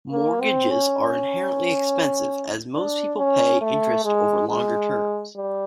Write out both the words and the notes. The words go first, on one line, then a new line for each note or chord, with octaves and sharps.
Mortgages are inherently expensive as most people pay interest over longer terms.
A#3
C4
C#4
D4
C#4
A3
G#3
G#3
G3